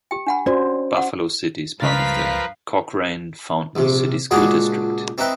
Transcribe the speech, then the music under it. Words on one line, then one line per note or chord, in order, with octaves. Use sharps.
Buffalo City is part of the Cochrane-Fountain City School District.
G4 G5
D4 F#5 B5
C#4 F#4 C5 D5
F#5
C#2 G2 F3 A#4 B4 F5 A6 B6
A#1 C3
C#2 A#2 D4 F#4 G#4 F#5
C4 D#4 E4 B4 G5